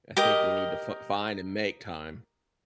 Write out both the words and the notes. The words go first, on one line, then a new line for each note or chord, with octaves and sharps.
I think we need to fi find and make time.
G4 A#4 D#5